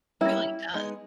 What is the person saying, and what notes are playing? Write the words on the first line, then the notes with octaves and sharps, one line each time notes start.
Really does.
G3 A#3 C#4 E4
G#3 B3 D#4